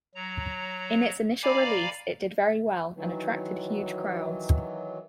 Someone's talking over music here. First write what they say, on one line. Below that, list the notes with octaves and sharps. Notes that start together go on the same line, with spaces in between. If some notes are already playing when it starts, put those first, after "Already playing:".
In its initial release, it did very well and attracted huge crowds.
F#3 A#5
D5 F5 G#5 A#5 B5 D6
D#3 E3 F#3